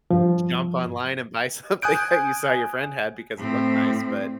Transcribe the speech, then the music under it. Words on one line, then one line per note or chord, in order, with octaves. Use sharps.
jump online and buy something that you saw your friend had because it looked nice, but,
G2 F3
G#5 D#6 F#6 G6 D7
A2 C4